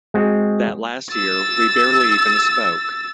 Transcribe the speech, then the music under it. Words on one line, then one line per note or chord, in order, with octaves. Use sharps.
That last year we barely even spoke.
G#3 C4 F#4
E6 A6